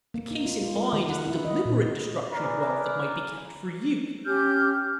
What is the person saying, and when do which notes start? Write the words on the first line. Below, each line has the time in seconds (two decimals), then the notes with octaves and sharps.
The case in mind is the deliberate destruction of wealth that might be kept for use.
0.14 A#3
0.31 D#4
0.45 F4
0.62 F4
0.76 A#4
0.93 D#3
1.09 F#5
1.27 E4
1.45 D#5
1.65 A#2
2.32 G#4 A#4 B4 D5
4.25 C#4 G4 F6 G6